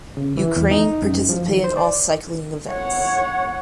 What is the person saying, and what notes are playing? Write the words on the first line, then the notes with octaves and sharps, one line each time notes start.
Ukraine participated in all cycling events.
C#3
E3
E2
D#4
F#2
F3
D#3
C5
D5
C#5 F#5